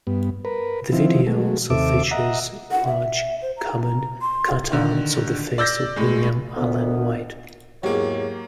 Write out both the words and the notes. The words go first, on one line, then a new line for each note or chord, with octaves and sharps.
The video also features large cardboard cutouts of the face of William Allen White.
G2 B3
A#4 B4
D#3 F3 C4 E4
F#3 G#3 A3
D#2 C3 A4 E5 D6
D#5 E5 F#5 A#5
F#5
E5
C5
A#5
A#5
C6
D3 D#3
D5 E6 G6 A#6
A2 G#3
D2 D#3 B3
E2 G#2 F#3 A#3 G4 C#5